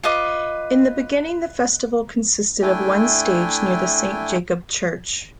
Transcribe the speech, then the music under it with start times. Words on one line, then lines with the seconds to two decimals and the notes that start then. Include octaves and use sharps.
In the beginning the festival consisted of one stage near the Saint Jacob Church.
0.03 F4 B4 D#5 D6
2.62 A3 D4 E4 G5 G#5